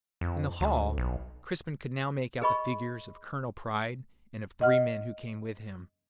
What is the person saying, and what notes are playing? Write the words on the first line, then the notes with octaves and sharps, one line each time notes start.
In the hall Crispin could now make out the figures of Colonel Pride and of three men who came with him.
F2
D2
B1
G#4 B4 D#5 B5 C#6
D#5 F#5 F6